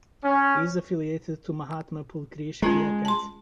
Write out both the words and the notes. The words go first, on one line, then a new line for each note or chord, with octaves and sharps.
It is affiliated to Mahatma Phule Krishi Vidyapeeth.
C#4
G#3 C#4 F4 A#5
A5 C6